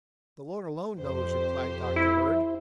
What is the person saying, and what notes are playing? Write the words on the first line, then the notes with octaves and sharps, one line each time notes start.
"The Lord alone knows," replied Dr. Bird.
F2 G4 C5
E4